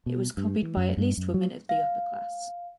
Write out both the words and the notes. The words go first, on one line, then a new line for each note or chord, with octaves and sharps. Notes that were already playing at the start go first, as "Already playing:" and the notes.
It was copied by at least women of the upper class.
B2
G2
E3
F#2
G2
F#2
F#3
F5